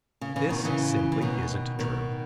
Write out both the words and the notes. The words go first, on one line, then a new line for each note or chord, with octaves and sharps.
This simply isn't true.
C#3
C#3 E3
B2 D#3
C#3 E3
E3
B2 D#3
B2 D#3